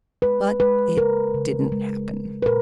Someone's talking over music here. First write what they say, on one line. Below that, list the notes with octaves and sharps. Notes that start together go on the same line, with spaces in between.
But it didn't happen.
G#3 B4
G#3 B4
C#3 A#4
C#3
G#3
G#3
B4
A#2 A#4